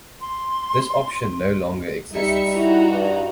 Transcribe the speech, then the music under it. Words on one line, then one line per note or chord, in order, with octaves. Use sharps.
This option no longer exists.
C6
G3 D#4 E5 C#7
D#4 E4 F#4 A#5
G2